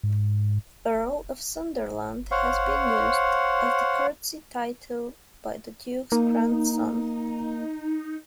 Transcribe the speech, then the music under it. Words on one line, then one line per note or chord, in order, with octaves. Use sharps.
Earl of Sunderland has been used as the courtesy title by the Duke's grandson.
G#2
C5 C#5 F5 F#5
A#3 D#4